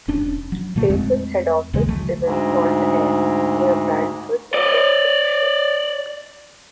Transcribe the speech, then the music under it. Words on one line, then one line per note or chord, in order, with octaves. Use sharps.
Pace's head office is in Saltaire, near Bradford in West Yorkshire.
E1 C#4 D4
F#3
A#2 D3 F#3 A3
F2 G#3 A3 C4
D#2 C#3 E3 G#3
D2 F#3 A3
D2 G#2
D5 D#5